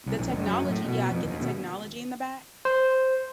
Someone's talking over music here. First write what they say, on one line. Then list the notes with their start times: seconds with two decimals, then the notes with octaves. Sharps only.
The technology, yeah, I get the technology in the back,
0.06 C2
0.18 A#1
0.30 F#1
0.46 F#2
0.69 A2
0.88 B2
1.11 F2
1.25 D#2
1.41 B2
2.65 C5